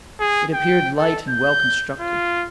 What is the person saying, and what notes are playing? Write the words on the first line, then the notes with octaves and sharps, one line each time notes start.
"It appeared light and well constructed."
G#4
G5
A4
G6
F4